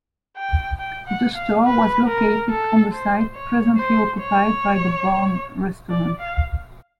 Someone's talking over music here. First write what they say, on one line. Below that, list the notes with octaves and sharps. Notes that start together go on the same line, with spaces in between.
The store was located on the site presently occupied by the Barn Restaurant.
G5
G5
F#5
F5
B4
A#4
A4
C5
C#5
C5
C#5
D5
F5